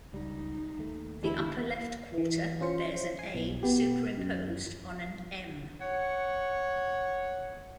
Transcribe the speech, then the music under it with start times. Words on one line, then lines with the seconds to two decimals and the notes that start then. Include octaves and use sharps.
The upper left quarter bears an "A" superimposed on an "M".
0.13 C#2 G3 D#4
0.78 D#2 A3
1.23 D3 E3 G#3 E4
2.18 E3
2.61 C#4 F4 C5 C#7
3.19 G#5 C7
3.35 B1
3.63 B2 B3 G4
4.18 F#2
5.81 C#5 F#5